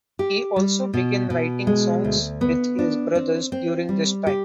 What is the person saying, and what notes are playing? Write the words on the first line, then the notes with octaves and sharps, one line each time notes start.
He also began writing songs with his brothers during this time.
G4
G3
B2
B2
G#3
D2
B3
D4
C4
C4
G3
G4